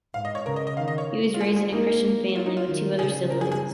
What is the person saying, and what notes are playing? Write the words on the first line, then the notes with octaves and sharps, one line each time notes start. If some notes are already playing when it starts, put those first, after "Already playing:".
He was raised in a Christian family, with two other siblings.
G#2 F5
D#5
C#5
C#3 A#4
D#5
D#5
D#3 F5
D#5
C#5
F4
G#3 G#4
G#4
A#3 D#4
A#3
F4
D#4
F4
D#3
C#3 G#4
A#4
G#4
G#4